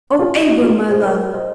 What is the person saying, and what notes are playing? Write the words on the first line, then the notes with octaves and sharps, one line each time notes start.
Oh, Abram, my love!
C#4 F4
D#4 F#4
F4 G#4
G#4 C5
A#4 C#5
C5 D#5